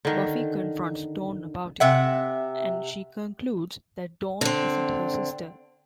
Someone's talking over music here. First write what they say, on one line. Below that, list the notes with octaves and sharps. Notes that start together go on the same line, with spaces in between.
Buffy confronts Dawn about it, and she concludes that Dawn isn't her sister.
D3 D#3
C3 E5 F#5
D3 C4